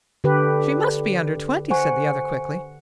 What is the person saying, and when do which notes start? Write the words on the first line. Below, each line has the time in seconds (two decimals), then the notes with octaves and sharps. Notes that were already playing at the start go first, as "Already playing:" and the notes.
"She must be under twenty," said the other, quickly.
0.24 D3 G4 B4
1.70 C5 F#5 G#5 C#6